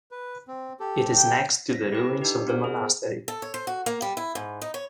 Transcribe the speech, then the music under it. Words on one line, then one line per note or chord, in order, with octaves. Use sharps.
It is next to the ruins of the monastery.
B4
C4
G4 A4
G5
A#6 B6
E4 G4 A4 B4
D4 D#4 G4
B3 F4 A#4 C5
G#4
A4
C#5
C5
F#4
A#3
G3
E4
G#2
D#4
C#5